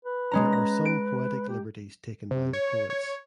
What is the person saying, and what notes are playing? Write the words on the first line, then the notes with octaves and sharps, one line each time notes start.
There are some poetic liberties taken by the poets.
B4
G#3 C#4 A#5
A#6
D7
G4
C3
C#5
C#5